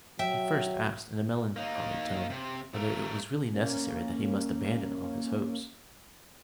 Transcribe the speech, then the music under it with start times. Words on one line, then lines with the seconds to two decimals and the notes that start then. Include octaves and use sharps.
He first asked, in a melancholy tone, whether it was really necessary that he must abandon all his hopes.
0.19 F#3 E5 G5
1.56 A#3 D#4
2.30 C3
2.75 A3 A#4
3.53 A#3 C#4